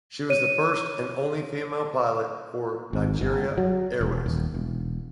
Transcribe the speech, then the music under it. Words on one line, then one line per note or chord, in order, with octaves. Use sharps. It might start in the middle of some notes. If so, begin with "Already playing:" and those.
She was the first and only female pilot for Nigeria Airways.
C#5 D#7
G#1
G1
F#3
E1
D#1
E1